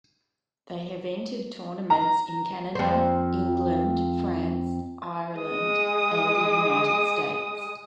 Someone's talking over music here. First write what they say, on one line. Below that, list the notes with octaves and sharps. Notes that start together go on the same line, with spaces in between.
They have entered tournaments in Canada, England, France, Ireland and the United States.
A#5
F2 C5
G#3 D#6